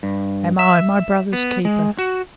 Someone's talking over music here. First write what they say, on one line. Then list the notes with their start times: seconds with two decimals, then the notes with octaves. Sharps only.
"Am I my brother's keeper?"
0.03 G2
0.59 E5
1.33 B3
1.65 G#3
1.99 F#4